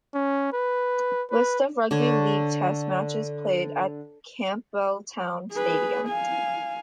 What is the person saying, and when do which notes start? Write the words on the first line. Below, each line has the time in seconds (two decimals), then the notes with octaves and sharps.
List of rugby league test matches played at Campbelltown Stadium.
0.14 C#4
0.53 B4
1.31 B4
1.91 D3 C#5
5.53 G#4 B4
6.08 F5 G#5